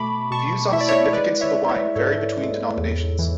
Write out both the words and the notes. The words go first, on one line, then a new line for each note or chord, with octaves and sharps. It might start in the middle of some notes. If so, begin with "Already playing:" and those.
Views on the significance of the wine vary between denominations.
Already playing: B2 A3 A5 B5 C#6 D6
B2 A5 C#6
E4 E5
D5
C#5 E5
G#3 B4 D5
C#5 E5
G#3
C#5 E5
G#2 A4 C#5
G#3
E2
E3